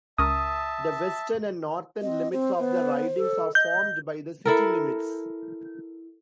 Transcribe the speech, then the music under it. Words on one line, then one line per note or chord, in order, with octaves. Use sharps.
The western and northern limits of the ridings are formed by the city limits.
C#2 C#4 A#4 E5 A5 D#6
C4 D#5
C4 C5
B3
A4
D#5 G6
E4 A4 A#4